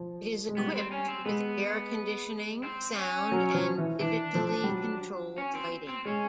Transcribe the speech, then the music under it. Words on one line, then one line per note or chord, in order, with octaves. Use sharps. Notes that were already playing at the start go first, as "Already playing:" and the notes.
It is equipped with air conditioning, sound, and digitally controlled lighting.
Already playing: F3
G#3
G3 B3
C4
C#4
C4
G#3 B3
C4
C#4
F#3
F3
E3
E3 D4
F3
G3
F#3
C#4
C4
C4
G#3 C#4